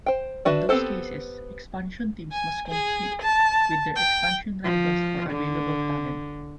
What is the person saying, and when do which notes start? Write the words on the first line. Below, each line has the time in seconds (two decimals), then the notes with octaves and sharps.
In those cases, expansion teams must compete with their expansion rivals for available talent.
0.06 C5 G5
0.45 D4 F#4 B4 E5
0.69 B3 C4 G4 A4 C5
2.32 G#5
2.68 G#4
3.22 A5
3.96 G5
4.64 F3
5.30 D3